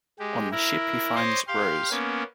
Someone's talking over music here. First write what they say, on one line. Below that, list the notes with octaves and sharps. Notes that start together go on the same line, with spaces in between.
On the ship he finds Rose.
G#3 G4
E4 A#4
C5 C#5 D#5 C6 D6
G4 F5 C6
A#3 B3 C#4